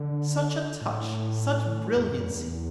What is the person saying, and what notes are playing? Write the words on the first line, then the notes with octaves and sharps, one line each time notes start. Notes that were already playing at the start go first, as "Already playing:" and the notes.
Such a touch, such brilliancy!
Already playing: D3
A2
E2
F#2
E2